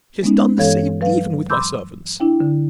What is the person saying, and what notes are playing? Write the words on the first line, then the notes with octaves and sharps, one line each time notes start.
She has done the same even with my servants.
G#3 B3 C#4 D#4
G2 E3 A4 C#5 F5 G#6
F#3 B4 F5
B5 C6 D6 E6 G6
D4 E4 G5
D3